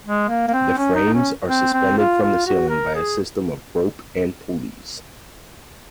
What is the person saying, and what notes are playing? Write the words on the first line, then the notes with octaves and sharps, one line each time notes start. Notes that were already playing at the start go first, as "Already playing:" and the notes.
The frames are suspended from the ceiling by a system of rope and pulleys.
G#3
A#3
A#3
C4
C#4
D#4
C#4
C4
C4
F4
F4
F#4
A#4
G#4